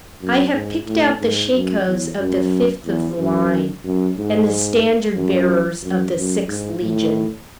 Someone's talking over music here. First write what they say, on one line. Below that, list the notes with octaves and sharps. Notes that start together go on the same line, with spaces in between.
I have picked out the shakos of the fifth of the line, and the standard-bearers of the sixth legion.
F#2
G#2
A2
G#2
F#2
E2
F#2
E2
F#2
F#2
G#2
F#2
F#2
F#2
G#2
A2